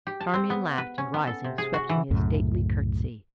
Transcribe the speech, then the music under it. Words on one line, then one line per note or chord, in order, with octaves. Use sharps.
Charmian laughed, and, rising, swept me a stately curtesy.
G4
A5
C4
B3
B4
C#4
B3
A4
C3
G#4
F#4
E3
C2 F#2 A2 C#3